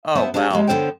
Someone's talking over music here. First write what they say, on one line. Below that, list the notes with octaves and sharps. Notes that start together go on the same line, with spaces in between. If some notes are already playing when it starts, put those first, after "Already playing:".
Oh, wow.
B3 C5 E5 A5
D4 G4 G#4 B4 C#5
G#3 A#3 E4 G4
D3 B3 A#4 C5 C#5 G5